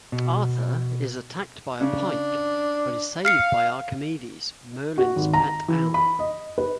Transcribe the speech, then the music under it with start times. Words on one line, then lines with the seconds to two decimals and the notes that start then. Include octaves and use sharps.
Arthur is attacked by a pike but is saved by Archimedes, Merlin's pet owl.
0.12 B2
1.81 C#3 D4
3.25 F5 F6 C7 C#7
4.98 F#4
5.16 G#1
5.33 A#5
5.68 E3
5.94 B5
6.19 D#5
6.58 B4